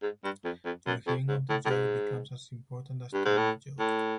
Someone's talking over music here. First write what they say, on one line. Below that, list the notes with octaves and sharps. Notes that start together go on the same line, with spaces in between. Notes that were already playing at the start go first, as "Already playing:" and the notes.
Your hearing of the joke becomes as important as telling the joke.
G#2
G2
F2
F2
F#2
F2
G#2
A2
A2
G#2
G2
G#2
A2
A2